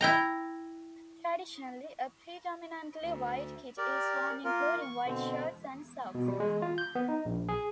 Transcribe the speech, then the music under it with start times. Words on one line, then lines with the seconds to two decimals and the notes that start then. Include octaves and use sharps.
Traditionally a predominantly white kit is worn including white shorts and socks.
0.01 E4 G5 A#5
3.02 D2
3.78 G4 A#4 D5
4.44 A#3 F4 A#4
4.81 C#6
5.06 B2 D3 C4
6.15 B2
6.28 G3
6.40 G#3
6.62 F4
6.78 G6
6.95 B3
7.09 D#4
7.25 A#1
7.49 G#4